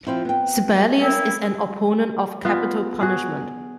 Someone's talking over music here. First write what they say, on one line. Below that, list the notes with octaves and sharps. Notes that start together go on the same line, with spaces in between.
Sebelius is an opponent of capital punishment.
F3 C4 E4
B3 G5
A#3 C4 E4
B3 F4 B4
F#4 G#4